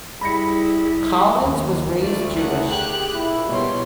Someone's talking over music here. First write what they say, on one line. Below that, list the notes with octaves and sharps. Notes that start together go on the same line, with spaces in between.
Collins was raised Jewish.
G3 E4 G#4 B5 A#6 C#7
D#2
D2 A3 D5
A#4 F#5
G4 G#4 F#6
A#1 A#2 E4
B2 G3 C#5 C6